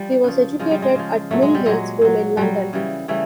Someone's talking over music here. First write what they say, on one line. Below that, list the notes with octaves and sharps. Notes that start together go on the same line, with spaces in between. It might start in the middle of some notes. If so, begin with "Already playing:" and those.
He was educated at Mill Hill School in London.
Already playing: F3 G3
C#3 F3
C#3 F3 G#3
G3
G#3
C#3 F3
A#2 F#3 A3
G#3
G3
A#2 F#3 G#3
A#2 F#3
A#2 F#3 G3
C#3 E3 G3
C#3 E3 G3 A3